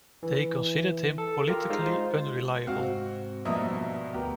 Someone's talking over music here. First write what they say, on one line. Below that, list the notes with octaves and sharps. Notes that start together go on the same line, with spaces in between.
They considered him politically unreliable.
E3
A4
F4 G4 A#4
G#3 D#4 F4 C5 F5
G#2 C3 C4 F#4 F5
G2 B2 F3 A#3 D#5 E5
D2 B3 G4 A#4